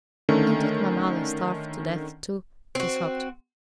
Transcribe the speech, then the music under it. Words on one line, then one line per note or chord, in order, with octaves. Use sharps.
"And did my mother starve to death too?" he sobbed.
D3 D#3 A3 C#4
C4 F#4